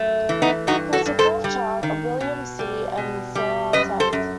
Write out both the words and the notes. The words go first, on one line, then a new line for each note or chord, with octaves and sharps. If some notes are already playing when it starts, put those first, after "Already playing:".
He was the fourth child of William C. and Sarah Tefft.
Already playing: F#2 A3
E3
B3 D#4
G2 D#4 F#4
F#4 A4
G2
A4 C5
G3
D#3
B2
G3
B2
G3
F#2 B4 D#5
A4 C5
F#2